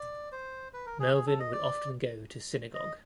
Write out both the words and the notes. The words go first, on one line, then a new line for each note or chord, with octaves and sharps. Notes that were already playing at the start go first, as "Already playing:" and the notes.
Melvin would often go to synagogue.
Already playing: D5
C5
B4
A#4
G#4
G#4
A4
D#5
D5
D#5